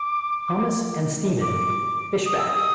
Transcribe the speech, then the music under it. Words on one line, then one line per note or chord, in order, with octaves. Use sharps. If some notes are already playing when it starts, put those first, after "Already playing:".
Thomas and Stephen Fishbach.
Already playing: D6
D6
D#6
E6
D#6